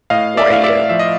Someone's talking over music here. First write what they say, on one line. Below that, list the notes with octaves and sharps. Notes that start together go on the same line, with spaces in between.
for you.
A2 D#5 F5
D5 E5
A2 F5
D5 E5
F3 E5
D#5